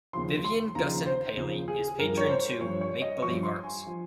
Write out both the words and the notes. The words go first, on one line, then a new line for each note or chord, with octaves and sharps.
Vivian Gussin Paley is patron to MakeBelieve Arts.
D#2 C#3 F3 C6
C6
D#2 C#3 F3 A#5
C5
D#2 C#3 F3
G#4
G#4
G2 F3 A#4
C#5
C5
G2 F3 C#5
C#5
D#5
G2 F3 C#6
C6
G#5
F3